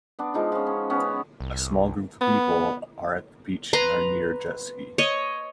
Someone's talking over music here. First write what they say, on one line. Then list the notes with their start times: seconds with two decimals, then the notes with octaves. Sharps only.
A small group of people are at the beach and are near a jet ski.
0.19 B3 D4
0.34 F3 G#3 D#4 F4
0.52 F3 C#4
0.67 C#4
0.90 B3 C#4
1.40 C2
2.21 B3
3.73 B4 A#5 C6
4.98 C#5 D#5